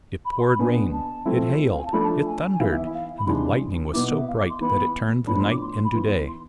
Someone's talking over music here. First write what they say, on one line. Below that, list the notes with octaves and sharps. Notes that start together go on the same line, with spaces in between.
It poured rain, it hailed, it thundered, and the lightning was so bright that it turned the night into day.
B5
C6
B5
B2 B3 D4 G#5
A5
F3 A3 C4 E4
F5
G#5
A5
F3 A3 D4 B5
A5
G#5
G#5
E3 B3 E4 F5
E5
E5
F5
B5
C3 E3 G#3 D4 C6
B2 B3 E4 D6
E5
F5
D6
C6
E3 B3 E4 B5
A2 F3 B3 D4 B5
C6
D6
C6
C6
B5
E3 B3 E4 C6
C6